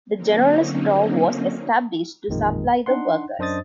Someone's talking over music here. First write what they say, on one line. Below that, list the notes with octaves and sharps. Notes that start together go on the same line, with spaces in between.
The General Store was established to supply the workers.
D3 F#3 A#3 C4 C#4 D#4
A1 F2 A#2 D#3 G#3
D4 D#4 F#5 C6
F#2 D4 C5 D#5 D#6 A6